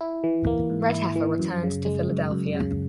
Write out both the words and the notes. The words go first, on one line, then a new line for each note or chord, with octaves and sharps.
Redheffer returned to Philadelphia.
E4
E3
A#3
G#2
E4
E3
F#2
C#3
G#3
F#2
F#2
C#3